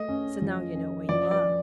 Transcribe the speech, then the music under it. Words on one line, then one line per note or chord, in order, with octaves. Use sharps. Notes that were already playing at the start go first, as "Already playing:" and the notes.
So now you know where you are.'
Already playing: A3 D#5
C#4
F3
C#4
F3 D5
D5